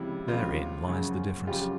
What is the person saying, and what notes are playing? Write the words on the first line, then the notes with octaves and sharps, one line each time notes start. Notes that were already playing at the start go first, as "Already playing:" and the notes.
Therein lies the difference.
Already playing: C#2 C3 F3 E4
C#2 C3 F3 F4
F#2 C#3 F3
F#2 C#3 F3 F4 G4